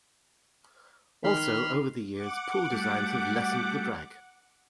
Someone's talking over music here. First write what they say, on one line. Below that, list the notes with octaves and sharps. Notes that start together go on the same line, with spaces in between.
Also, over the years, pool designs have lessened the drag.
D#3 B5 C6 F6
F#5 D6
G3 A3 F#4